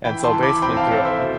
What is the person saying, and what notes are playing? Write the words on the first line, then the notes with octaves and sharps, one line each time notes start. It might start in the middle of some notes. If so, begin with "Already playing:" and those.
And so basically throughou
E3 G5 B5
A5 C6
E3
B5 D6
C4 G5 B5
F5 A5
E4 A4 C5
C5 E5
B2